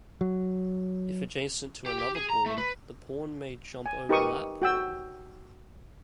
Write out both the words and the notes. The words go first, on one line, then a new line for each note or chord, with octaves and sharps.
If adjacent to another pawn, the pawn may jump over that pawn.
F#3
G4
G4
G#4
A#5
A3
B4
G#5
D#4 G4 A#4 B4 C#6 D#6
F#4 G5 E6